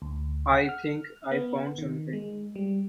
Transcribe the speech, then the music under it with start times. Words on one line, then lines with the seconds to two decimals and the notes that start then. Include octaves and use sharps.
I think I found something.
0.02 D2
0.52 F#5
0.69 F6
1.31 B3
1.78 D#3
2.13 G#3
2.56 G3